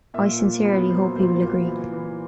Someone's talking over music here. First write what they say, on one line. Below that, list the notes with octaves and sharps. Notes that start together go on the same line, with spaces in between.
I sincerely hope he will agree.
A#2 E5
A#2
B3
F#3 C5
A#2 C5
A#2 C5
E3
E3